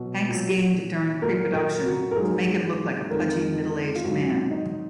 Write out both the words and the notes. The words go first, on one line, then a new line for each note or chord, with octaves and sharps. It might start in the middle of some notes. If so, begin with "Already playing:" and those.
Hanks gained during pre-production to make him look like a pudgy, middle-aged man.
Already playing: B2 F#3
A#2 F#3
A#2 F#3 A#4
A#4
F#4
A#4
G#2 F#3 G#4
F2 D#3 G#3 A#4
F4
G#2 F#3 F#4
D#4